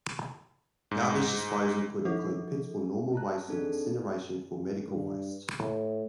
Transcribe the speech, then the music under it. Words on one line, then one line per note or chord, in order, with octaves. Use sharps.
Garbage disposal could include pits for normal waste and incineration for medical waste.
G#2
F3 D#4 E4 A4
A5 A#5 F#6
C4 D4 D#4 G#4 A4
G2
A2